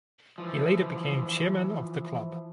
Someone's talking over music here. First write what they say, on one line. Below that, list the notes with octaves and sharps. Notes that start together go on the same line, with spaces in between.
He later became Chairman of the club.
E3 F3